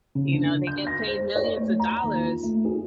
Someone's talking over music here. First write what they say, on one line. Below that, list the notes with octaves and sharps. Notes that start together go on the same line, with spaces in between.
you know, they get paid millions of dollars
C#3
D3
G6
A#6
C5
C#5
A3
A#5
D#2
F4
A3
G#4